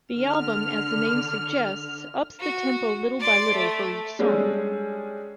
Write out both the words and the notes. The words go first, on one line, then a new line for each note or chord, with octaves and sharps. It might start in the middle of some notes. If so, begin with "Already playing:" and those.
The album, as the name suggests, ups the tempo little-by-little for each song.
D3 F6
F#4
D5 C6
A3
G3 G#3 C#4 D4 G#4 A4